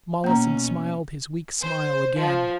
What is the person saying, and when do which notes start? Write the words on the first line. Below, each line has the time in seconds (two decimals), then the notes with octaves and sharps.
Mollison smiled his weak smile again.
0.24 B2 A#3 C#4 A#5
1.60 C5
2.15 F3